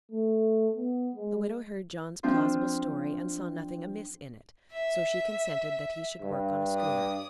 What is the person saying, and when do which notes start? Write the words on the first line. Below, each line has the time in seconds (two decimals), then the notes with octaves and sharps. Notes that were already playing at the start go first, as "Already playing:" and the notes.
The widow heard John's plausible story, and saw nothing amiss in it, so she consented that he should work on a schooner.
0.12 A3
0.75 B3
1.15 G#3
2.23 F3 C4 D4 F4 C5
4.73 E5
6.21 G2
6.76 D5 D#6